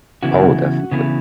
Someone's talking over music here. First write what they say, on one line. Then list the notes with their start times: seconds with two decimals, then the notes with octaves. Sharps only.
Oh, definitely.
0.23 C#3 E3 B3 F#4
0.92 C#3 E3 B3